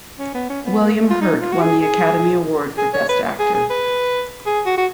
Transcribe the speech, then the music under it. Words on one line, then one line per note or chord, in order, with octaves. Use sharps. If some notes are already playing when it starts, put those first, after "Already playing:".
William Hurt won the Academy Award for Best Actor.
C#4
B3
C#4
B3
A#3
F4
D#4
F4
F#4
G#4
G#4
G#4
C#5
B4
G#4
G#4
B4
G#4
F#4
F#4